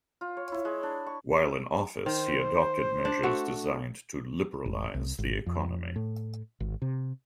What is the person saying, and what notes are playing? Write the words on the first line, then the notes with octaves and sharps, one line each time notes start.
While in office he adopted measures designed to liberalize the economy.
F4
C#5
E4
G#3
D4
C#6
D#3 C5
D4
A3 F#4
E1
C2
G#1
F2
A2
G#1
C3